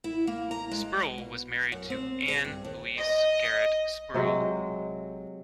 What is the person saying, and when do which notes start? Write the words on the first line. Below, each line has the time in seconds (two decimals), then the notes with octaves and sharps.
Spruill was married to Anne Louise Garrett Spruill.
0.04 E4
0.27 A#3
0.51 A#5
0.71 G#3
1.18 B2
1.72 F#2
1.90 C4
2.28 G#4
2.44 G2
2.65 D#2
2.98 D#5
4.14 C3 F#3 G#3